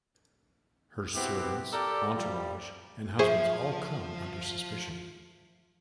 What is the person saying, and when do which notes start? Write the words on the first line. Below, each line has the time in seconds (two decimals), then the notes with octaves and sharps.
Her servants, entourage and husbands all come under suspicion.
1.15 B2 B3 C4 E4 G4
1.73 G4 A4 A#4 D5
2.16 F3 G3
3.19 F3 G#4 C5 E5 C#6